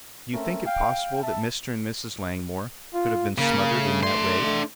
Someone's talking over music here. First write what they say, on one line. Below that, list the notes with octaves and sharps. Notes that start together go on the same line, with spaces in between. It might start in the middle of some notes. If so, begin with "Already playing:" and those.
"Do you think it possible that Mr. and Mrs. Langmore could have been smothered in that way?"
A3 C4 C#4 A#4 E5
F5 G5
E5 A5
F4
C#3 A#3
A3
D4 C6
A3